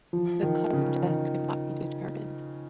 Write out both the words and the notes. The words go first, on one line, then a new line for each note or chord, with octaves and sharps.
The cause of death could not be determined.
F3
D#3
C#3
D#3